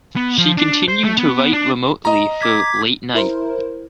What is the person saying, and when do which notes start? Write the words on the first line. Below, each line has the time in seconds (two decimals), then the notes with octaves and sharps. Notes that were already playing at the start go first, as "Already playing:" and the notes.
She continued to write remotely for "Late Night".
0.16 B3
0.38 F3
0.58 D4
0.88 C5
1.04 A3
1.18 B3
1.53 D4
2.05 D#5 A#5
2.41 D6 G#6 B6
3.15 E4 A#4 C5